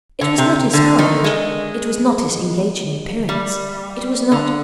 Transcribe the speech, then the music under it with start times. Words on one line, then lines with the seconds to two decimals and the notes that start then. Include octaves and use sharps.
It was not his courage, it was not his engaging appearance, it was not--.
0.21 D3
0.38 C3
0.74 D3
0.99 D#3
1.24 G#3
3.29 G3
4.32 D3